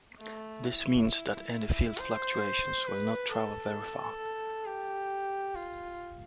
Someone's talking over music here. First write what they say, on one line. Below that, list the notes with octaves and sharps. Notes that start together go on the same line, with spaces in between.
This means that any field fluctuations will not travel very far.
A3
E4
C5
B4
A4
G4
F4